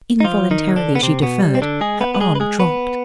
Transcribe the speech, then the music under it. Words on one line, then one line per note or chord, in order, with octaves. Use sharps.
Involuntarily she deferred, her arm dropped.
D#4
F3 F4
D#3 D#4
D3 D4
B3
C3 C4
B2 B3
G3
C4
D3 D4
G#3 G#4
B3 B4
B4
G#3 G#4
B4
G#3 G#4
B3 B4